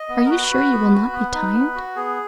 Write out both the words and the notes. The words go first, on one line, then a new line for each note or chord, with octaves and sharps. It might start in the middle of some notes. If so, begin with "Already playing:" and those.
Are you sure you will not be tired?'
Already playing: D#5
B3
A#4
F#4 B4
F#4
B3
F#4
B3
D#4
B3
F#4
B3 G#4